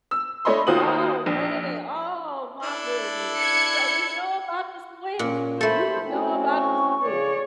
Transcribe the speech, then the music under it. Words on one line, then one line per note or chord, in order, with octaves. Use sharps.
Oh, man! Oh, my goodness! So you know about the switch? You know about the switch.
E6
A3 D4 C#5 D#5 B5 C6
D#2 F4 F#4 C5 D#6 F#7
A#1
D4 E4 A4
G#6 C#7
A#2 C#4
A3 A4 C5 B5
C4 C#4 E4 F#4
C#6
C#3 C#5 D5